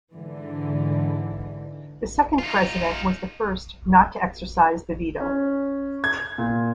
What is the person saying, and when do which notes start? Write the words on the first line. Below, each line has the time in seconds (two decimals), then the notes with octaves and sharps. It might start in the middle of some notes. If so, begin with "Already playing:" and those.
The second president was the first not to exercise the veto.
0.12 G#2 D3 E3
2.38 D#4 F4
5.20 C#4
6.04 G#6
6.38 A#2